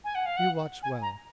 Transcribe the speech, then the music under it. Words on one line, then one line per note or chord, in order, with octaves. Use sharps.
You watch well!
G#5
F#5
F5
F#5
G#5
A#5